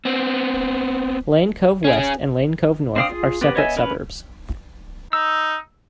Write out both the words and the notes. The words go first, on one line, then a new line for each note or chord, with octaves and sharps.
Lane Cove West and Lane Cove North are separate suburbs.
B3 C4
C#4 G#4
C4 D4 F5 G5 D#6
F4 G#4
B3 C4 G4 B4
B3 C#5 D#5 E5 G#5
C#4 A#4 B4 B5
D#4 E6